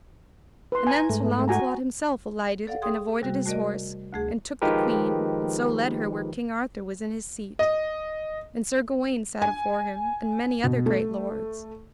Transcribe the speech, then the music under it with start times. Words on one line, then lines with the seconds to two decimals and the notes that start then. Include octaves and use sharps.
And then Sir Launcelot himself alighted and avoided his horse, and took the queen, and so led her where King Arthur was in his seat: and Sir Gawaine sat afore him, and many other great lords.
0.72 B4 C6
0.87 G#5 A#5
1.09 G#2 A3
1.48 F#4 G#5 A#5
2.67 A4 D5 F5 F#5
2.82 G#4 G5 C6 D#6
3.22 C3 G3 F#4
3.46 A3 F#4 A#4 D5 D#5
4.12 D2 A3 G#4
4.62 D#3 F3 G#3 G4 A#4 B4
7.59 D#5
9.42 G#5
10.64 B2
10.86 A3